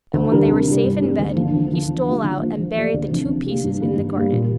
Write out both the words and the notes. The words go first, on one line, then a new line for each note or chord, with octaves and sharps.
And when they were safe in bed he stole out and buried the two pieces in the garden.
D2
D3 G3 D4 A#4
C3
G3 D4
G2
G3 C4 G4
D2
D3 F3 A#3
D2
D3 F3
D3
G3 A#3 F4
D3
A#3 F4 C5
F3
A#3 G4 D5
D2
C3 F3 D4
C3
A#3 G4
G2
D3 G3 A#3
G2
G3 A#3
A#2